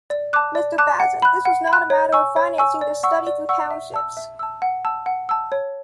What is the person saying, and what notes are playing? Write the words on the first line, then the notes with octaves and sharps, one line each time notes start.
Mister Bazin, this was not a matter of financing this study through townships.
D5
A5 D6 F#6
D5
A5 D6 F#6
F#5
B5 F#6
F#5
B5
F#6
C#5
G#5 C#6 E6
C#5
G#5 C#6 E6
D5
F#5 C#6 E6
D5
F#5 C#6 E6
E5
A5 E6
E5
A5 E6
F#5
A5 E6
F#5
A5 E6
C#5